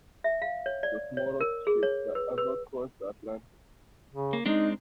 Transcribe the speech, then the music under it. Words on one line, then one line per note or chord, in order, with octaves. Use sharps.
The Smallest Ship that Ever Crossed the Atlantic!
E5
F5
C#5
D5
C#5
A#4
G#4
C#5
B4
B4
C#3
A#3
G#3 C4 D4 D#4